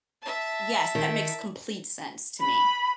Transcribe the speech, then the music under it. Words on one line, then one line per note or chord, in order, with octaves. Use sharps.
Yes, that makes complete sense to me.
E5 A5
D#3
B5